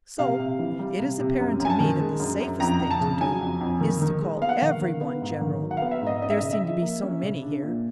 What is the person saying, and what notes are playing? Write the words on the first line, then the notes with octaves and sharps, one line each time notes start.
So it is apparent to me that the safest thing to do is to call everyone general--there seem to be so many here.
C3 F5
C3
E3
G3
C3
C3
F#2
F#2
G#5
A5
D#3
G#3
F#2
F#2
F2 A#5
F2
A5
C#3
F#3 G#5
F2
F2
D#3
D#3
G#3
B3 F5
F#5
D#3 F5
D#3
B3
G#2
D#3
F#3
F#5
B3 F5
E5
G#2
D#5
C#4 D#5
E5
C#3 D#5
E5
F3
A#3
C#4
C#3
D4
A#2